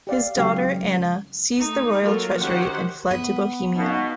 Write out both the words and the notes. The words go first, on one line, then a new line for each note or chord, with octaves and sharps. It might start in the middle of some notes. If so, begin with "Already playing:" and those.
His daughter, Anna, seized the royal treasury and fled to Bohemia.
G4 D5 F5
C#2 F#2 F#4 G4 F5
A3 D#4
F#3 A#3 F4 A4 A#4
D#3 C#4 F#4 G4 C5 F#5
B3 B4
B2 D#4 F5